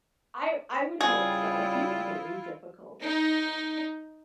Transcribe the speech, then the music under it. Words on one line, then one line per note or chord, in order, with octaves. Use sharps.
I I would hope so, he's very difficult.
C#3 G3 E4 F4 G#4
D#4